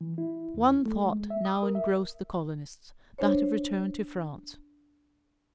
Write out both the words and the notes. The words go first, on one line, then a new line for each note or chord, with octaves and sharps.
One thought now engrossed the colonists, that of return to France.
E3
E4
D#2
A3
G#3
E5
D#6
A#4
E5
D4 C5 C#5